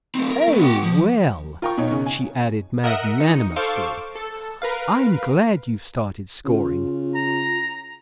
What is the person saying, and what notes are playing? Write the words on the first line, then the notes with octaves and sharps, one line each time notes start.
Oh, well," she added magnanimously, "I'm glad you've started scoring.
A3 C4
A#4
A3 B3
F#4 G5
F3
F4 A#4 G5 A#5 C#6
B2 D#4 C#5
C#3 C#4
G#5
A#4 D#5 E5 F#5
D#4 C#7
A4 C5 F5 C#6 D6
A4
A#4 B4 F5
C#3 F4
A#5